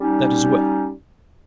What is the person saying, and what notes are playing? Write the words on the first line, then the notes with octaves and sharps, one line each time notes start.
"That is well."
G3 C#4 D#4